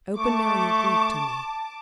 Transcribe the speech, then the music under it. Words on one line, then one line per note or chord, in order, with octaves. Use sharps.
Open now your grief to me.
A3 A5 C#6 D6